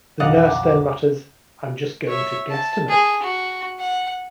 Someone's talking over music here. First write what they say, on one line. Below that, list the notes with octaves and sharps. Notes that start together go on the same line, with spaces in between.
The nurse then mutters, I'm just going to guesstimate.
B1 F2 D5 D#5 F5 F#5 D6
C#5 E5
A5
G#4
F#4
F#5